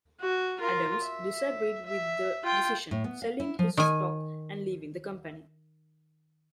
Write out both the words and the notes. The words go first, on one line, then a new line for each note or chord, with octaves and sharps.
Adams disagreed with the decision, selling his stock and leaving the company.
F#4
F4 A#4
E5
E5
F4 G5
A2
B3
F5
E4
F3
D#3 G#5